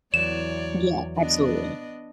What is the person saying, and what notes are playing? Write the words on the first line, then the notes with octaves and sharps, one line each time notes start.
Yeah, absolutely.
E2 E3 F#3 C#5 D5 E7
B3 D4 D#5